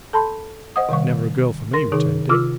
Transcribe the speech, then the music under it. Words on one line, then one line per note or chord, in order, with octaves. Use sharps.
"Never a girl for me," returned Dick.
A4 A5 B5 C6
C5 D#5 F#5 D#6
C3 D#3 G3 C#6
A#4 C6 A#6
C3 D#3 D#4 G#4
C3 F4 D6 E6 F6